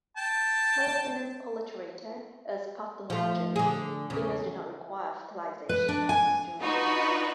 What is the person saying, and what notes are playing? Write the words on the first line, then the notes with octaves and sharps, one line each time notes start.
"Pelecinus polyturator" is parthenogenic; females do not require fertilization by males to reproduce.
G5 A5
F3 A3
D3 G#4
E2 C#3
B4
D4
G#5
D4 D#4 F4 F#4 B4